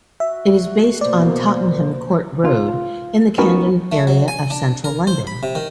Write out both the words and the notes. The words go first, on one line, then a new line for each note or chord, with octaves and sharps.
It is based on Tottenham Court Road in the Camden area of Central London.
F#4 E5
B2 A#3 C5 D5
F4
B3 C#4 D#4 F#4 A#4 B4
A3
F#3
G#5
D4
A#4
C5
B5
C3
D#3